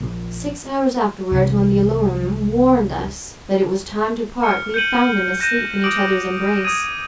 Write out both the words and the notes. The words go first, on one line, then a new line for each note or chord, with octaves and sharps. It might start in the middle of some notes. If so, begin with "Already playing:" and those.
Six hours afterwards, when the alarum warned us that it was time to part, we found them asleep in each other's embrace.
A#1
C2 E3
F6 C#7
G6 C#7 D#7 F#7
F#6 G6 A#6 D#7 E7
D6 D#6 D7 F#7
D#6 G#6 D#7